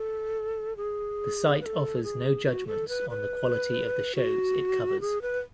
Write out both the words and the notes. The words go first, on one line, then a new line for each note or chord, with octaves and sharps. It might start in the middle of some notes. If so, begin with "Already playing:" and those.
The site offers no judgments on the quality of the shows it covers.
Already playing: A4
G#4
B4
A4
G#4
F#4
A4
B4
B4
F#4
G#4
B4